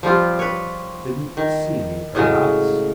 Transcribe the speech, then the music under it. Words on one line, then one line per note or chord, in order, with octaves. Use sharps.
Didn't see me perhaps.
F3 G3 C4 F4
B4 C#5
D#3
A2 C#3 F#3 G#3